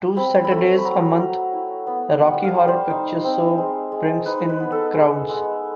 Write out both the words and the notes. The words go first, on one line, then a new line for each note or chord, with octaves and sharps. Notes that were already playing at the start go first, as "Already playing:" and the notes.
Two Saturdays a month, Rocky Horror Picture Show brings in crowds.
C4 B5
B5
A3 A#5
B5
F#3 A#5
F#3
E4
B3
G3 F#5
F5
G3
C5
D#4
C4
G#3
G#3
D#4 B4
B4
B3
A4
G#3
G#3